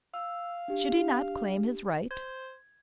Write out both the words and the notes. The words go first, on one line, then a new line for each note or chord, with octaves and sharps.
Should he not claim his right?
F5 E6
D4 G4
C5 G#6